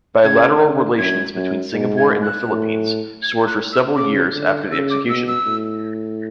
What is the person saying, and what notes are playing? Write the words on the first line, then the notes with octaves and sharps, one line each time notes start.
Bilateral relations between Singapore and the Philippines soured for several years after the execution.
C#3 G#6
D3
F#2 G#6
F#2
G#2
G#6
F#6
A2
G#6
F#6
E6
C#3 D6
D3
C#3 E6
D6
B2 E6
E6
A2